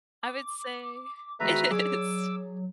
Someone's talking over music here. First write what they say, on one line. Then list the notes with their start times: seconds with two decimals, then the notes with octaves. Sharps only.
I would say it is
0.23 D6
1.40 E2 G#2 D#3 F#4 B4 E5 A#5
1.71 F#3 G#4 C#5 D5 D6 E6